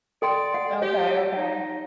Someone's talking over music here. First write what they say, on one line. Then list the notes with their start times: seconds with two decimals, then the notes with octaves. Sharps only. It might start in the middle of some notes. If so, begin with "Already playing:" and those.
Okay, okay.
0.22 A4 D5 G5 C6
0.54 F#5
0.82 G4 C#5
1.36 D#4